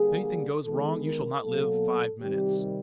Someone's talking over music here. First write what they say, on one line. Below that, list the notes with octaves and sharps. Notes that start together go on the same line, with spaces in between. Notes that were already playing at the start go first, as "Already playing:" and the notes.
If anything goes wrong you shall not live five minutes.
Already playing: D3 G3 A#3 G#4
D#3 G#3 B3 A4
A#4
B2 F#3 A#3 A4
C3 D#3 G3 G4